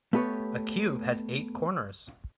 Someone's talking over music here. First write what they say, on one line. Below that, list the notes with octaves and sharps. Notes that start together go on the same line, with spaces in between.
A cube has eight corners.
A3 B3 G4 B4 C#5